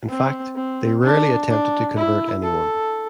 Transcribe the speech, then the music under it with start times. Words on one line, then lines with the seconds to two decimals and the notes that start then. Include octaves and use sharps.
In fact, they rarely attempted to convert anyone.
0.09 C4
0.55 C4
1.03 D4
1.48 D4
1.96 E4
2.42 A4